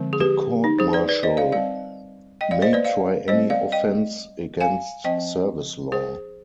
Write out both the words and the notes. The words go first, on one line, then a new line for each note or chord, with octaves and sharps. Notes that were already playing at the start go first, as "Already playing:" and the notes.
The Court Martial may try any offence against service law.
Already playing: D3 F3 G#3 C4
G#4
G4 B4
D#4
G#4 C5
B4 D5
B4 D5
C5 D#5
D5 F5
G3 C4 D5 F5
D#5 G5
D5 F5
C5 D#5
B4 D5
D5 F5
G3 C4 C5 D#5
D5 F5
D#5 G5
F5 G#5
F3 C4 D#5 G5
G#4 C5